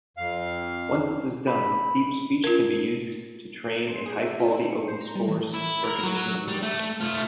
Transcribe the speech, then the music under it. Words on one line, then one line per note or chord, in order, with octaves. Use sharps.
Once this is done, DeepSpeech can be used to train a high-quality open source recognition engine.
F2 F5
B5
F4 A#4
C6
G#4
E5
F4
E4
C#7
C5
A#5
G3
E3
E4
A#4
F#3
G3
A3
A3 F4